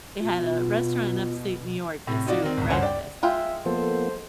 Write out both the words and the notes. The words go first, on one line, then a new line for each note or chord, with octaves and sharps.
They had a restaurant in Upstate New York that served breakfast,
B2 F4
A2 C3
D#4 F4 F#4 D5
D#3 C4
G#1 C#2
D2 G2 C#3 C5 C#5 F#5
D5 G5
G#3 F4 E5 G5
F3 A#3 B3 A4 C5